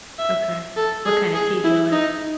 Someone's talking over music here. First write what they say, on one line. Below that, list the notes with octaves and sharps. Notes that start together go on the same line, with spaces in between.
Okay. What kinda tea do you like?
E5
A4
G#4
G#4
E4
D#4